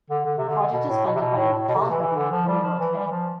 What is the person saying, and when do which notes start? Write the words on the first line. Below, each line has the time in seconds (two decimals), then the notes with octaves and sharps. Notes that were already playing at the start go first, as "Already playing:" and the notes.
The project is funded by the Nepal Government and the World Bank.
0.10 D3
0.25 D3
0.38 C3
0.49 D3
0.73 B2
0.89 A2
1.05 B2
1.16 C3
1.20 B2
1.37 A2
1.53 A2
1.68 B2
1.75 D3
1.79 C3
1.90 E3
2.01 E3
2.16 D3
2.32 F3
2.48 G3
2.63 F3
2.79 E3
2.95 G3
3.06 E3
3.11 F3